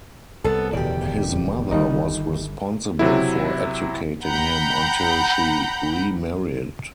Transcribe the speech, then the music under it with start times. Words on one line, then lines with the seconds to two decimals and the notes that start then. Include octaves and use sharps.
His mother was responsible for educating him until she remarried.
0.44 C2 B3 A4
0.73 D1 E2 B2 D#3 G4 D5
1.71 G1 D#3 G3 D#4
2.99 C3 F#3 E4
4.26 F#5 G5 A#5 B5 G6